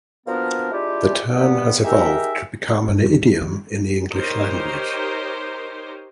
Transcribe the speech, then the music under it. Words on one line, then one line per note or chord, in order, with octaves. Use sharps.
The term has evolved to become an idiom in the English language.
B2 F3 A#3 B3 D4 A#4
G#3 D4 E4 F4 G4
G2 B3
D#4 G4 G#4 A#4 E5
G2
F2
F#2
D#3
D#4 G4 A#4 C5 C#5